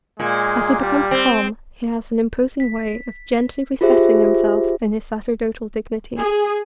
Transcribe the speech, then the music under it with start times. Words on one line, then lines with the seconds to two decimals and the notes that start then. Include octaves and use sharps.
As he becomes calm he has an imposing way of gently resettling himself in his sacerdotal dignity.
0.20 A#2 G#3
0.80 G3
1.11 C4
2.60 B6
3.81 F4 G4 G#4 C5 E5
6.19 G#4